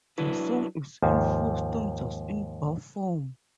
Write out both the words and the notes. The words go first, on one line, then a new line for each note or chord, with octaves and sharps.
The song is in four stanzas in bar form.
F#3 D4 E4 B4
D#2 G#2 F3